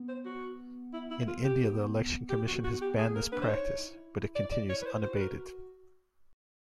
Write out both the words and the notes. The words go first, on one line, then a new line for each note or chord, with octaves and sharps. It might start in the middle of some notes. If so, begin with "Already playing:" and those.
In India, the Election Commission has banned this practice, but it continues unabated.
Already playing: B3
C5
F#4
E4
E4
F4
G4
B3
G4
F#4
F#4
G4
A3 G#4
B3
A#3 A#4
D4 B4
C5
D#4 C#5
E4
D#4
E4
D5
D5
C#5
B4
C5
F#4 C5
B4
A#4